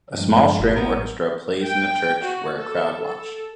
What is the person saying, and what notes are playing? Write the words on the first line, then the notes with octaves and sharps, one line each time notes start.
A small string orchestra plays in a church where a crowd watched.
G2 F3 G#3
F1 E4 F#4 G4
A1 B3 A#4
G5
F#4
A4
A4